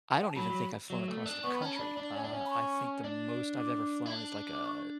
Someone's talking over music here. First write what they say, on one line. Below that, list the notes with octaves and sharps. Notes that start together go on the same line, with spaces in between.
I don't even think I've flown across the country, uh, I think the most I've ever flown is, like, uh,
F#5
G5
A5
F#3 B5
F#3
F#3
A3
D4
B3 C#6
B5
C#4 A5
D4 B5
D4
C#4
D4
C#4
B5
C#6
D4
D6
E4
D4
D6
C#6